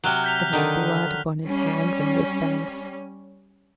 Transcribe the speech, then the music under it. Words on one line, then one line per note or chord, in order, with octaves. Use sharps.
There was blood upon his hands and wrist-bands!
C3 F#3 F6 F#6 G7
G6 B6 F7
D3 D#3
G3 C#4